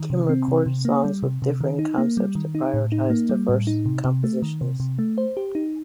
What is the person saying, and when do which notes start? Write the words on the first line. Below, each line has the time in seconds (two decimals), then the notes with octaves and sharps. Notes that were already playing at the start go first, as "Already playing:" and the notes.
Kim recorded songs with differing concepts to prioritize diverse compositions.
Already playing: D#3
0.10 C3
0.29 C4
0.48 C3
0.66 C3
0.85 A#3
1.04 G3
1.23 C3
1.42 C3
1.61 D#3
1.79 D#4
1.98 A#3
2.17 G3
2.35 D#3
2.55 D#4
2.74 A2
2.92 D#4
3.10 A#3
3.29 G3
3.49 A2
3.67 D#4
3.86 C3
4.05 C3
4.24 A3
4.42 D#3
4.61 C3
4.80 C3
4.99 A3
5.18 C5
5.37 G4
5.55 D#4